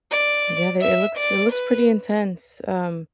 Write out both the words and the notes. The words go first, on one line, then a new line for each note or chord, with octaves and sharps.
Yeah, th it looks it looks pretty intense. Um,
D5
E5
D5
B4